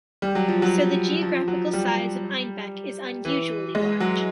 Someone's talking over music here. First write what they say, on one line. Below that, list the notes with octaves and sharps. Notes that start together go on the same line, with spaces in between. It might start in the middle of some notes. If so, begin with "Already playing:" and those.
So the geographical size of Einbeck is unusually large.
G3
F#3
F3
F#3
F3
F#3
G3
E3
G#3
F#3